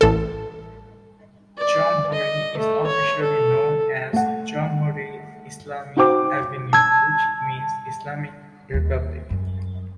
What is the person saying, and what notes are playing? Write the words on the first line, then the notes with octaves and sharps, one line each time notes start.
Jomhuri is officially known as Jomhuri Islami Avenue which means Islamic republic.
A1 A4
D5
D#5
A3
C#5
A4
A3 F#5
D#4 F#4 C5 G5 D6
A5 E6 G#6
D#2
F#2